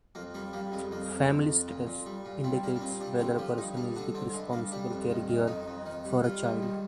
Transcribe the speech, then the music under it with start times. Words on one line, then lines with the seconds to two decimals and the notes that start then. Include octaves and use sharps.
"Family status" indicates whether a person is the responsible caregiver for a child.
0.15 F2 A#3
0.34 G3 A#3
0.53 G3 A#3
0.72 F2 G#3
0.91 F2 A#3
1.11 F2
1.29 F2
1.49 F2
1.68 A#2
1.87 A#2
2.06 G3
2.25 A#2
2.44 G3 C4
2.63 G3 A#3
2.76 D4
2.81 A#2 C4
3.00 G3 D4
3.19 D3 C4
3.38 F3 G4
3.58 G2 D#4
3.77 G2 D4
3.96 D3 D4
4.14 D3 C4
4.33 G2 G#3
4.53 G2 A#3
4.72 G3 D4
4.90 F2
5.10 D#3
5.29 D#3
5.47 F2 D#4
5.67 F2
5.86 D#3
6.05 G3
6.23 G3 F4
6.43 G#2
6.62 D#3